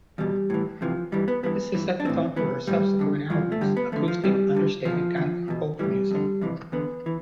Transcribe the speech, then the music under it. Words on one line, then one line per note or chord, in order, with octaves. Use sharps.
This has set the tone for her subsequent albums: acoustic understated gothic folk music.
E2 B2 G3
A2 E3
F2 C3 E3 F3
G2 E3 G3
B3
G2 E3 B3
G2 E3
D4
A2 E3 C4
G2 E3 B3
A2 E3 G3
F2 D3
G2 E3 F3
A3
G2 D3 G3
B3
F2 D3 A3
F3
F2 C3 E3 G3
G2 D3
E2 B2 F3
E2 D3
E2 B2
A2 E3 G3
F2 D3
F2 C3 E3
E2 D3 B3
E3